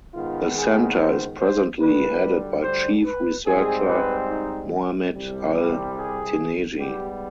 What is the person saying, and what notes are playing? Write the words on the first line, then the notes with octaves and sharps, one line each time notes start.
The centre is presently headed by chief researcher Mohamed Al Teneiji.
G#2 D#3 B3 F4
G#4
C5
C5
D2 D3 G3 B4
C5
B4
G#2 G3 C4 G#4
B4
D#4
C2 C3 G3
G#4
G#2 G3 B3 G4